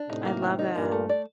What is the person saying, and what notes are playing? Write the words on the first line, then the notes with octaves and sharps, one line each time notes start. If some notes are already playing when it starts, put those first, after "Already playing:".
I love that.
Already playing: D4
A2 C3 D#4
A#3
D#3
D#4
G2 A#2 A#4
A3
D5